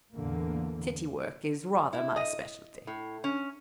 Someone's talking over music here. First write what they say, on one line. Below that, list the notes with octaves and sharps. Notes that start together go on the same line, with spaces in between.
"City work is rather my specialty."
E2 A2 D3 E3 A#3
E4
D#5
A2
C#4